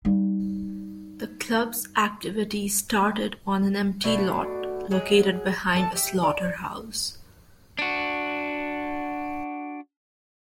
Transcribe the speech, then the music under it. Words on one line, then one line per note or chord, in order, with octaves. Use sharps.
The club's activities started on an empty lot located behind a slaughterhouse.
G3 D#4
B2 A3 D4 F#4
F#3 G#3 G#4
D4 A4 A5
G4 E5
D5
D4 F#4